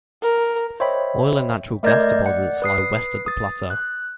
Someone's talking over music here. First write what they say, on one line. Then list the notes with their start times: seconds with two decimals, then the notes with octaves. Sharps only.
Oil and natural-gas deposits lie west of the plateau.
0.23 A#4
0.80 C5 C#5 D#5 E5 G5 B5
1.83 A3 A#4 D5 D#5 G6 G#6
2.26 D5 F#5
2.62 B4 D#6 C7
3.26 D#6 A6
3.70 F#6